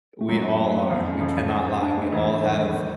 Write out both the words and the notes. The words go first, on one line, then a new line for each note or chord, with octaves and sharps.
We all are, we cannot lie, we all have
A3
F#2 F#3 G#3
A3
A#3
F2 F3 B3
C#4
F2 F3 C#4
F2 F3
D4
A3
E2 E3
D#3
D3
D#3 G3
G#3
D3 G3
D#3 G3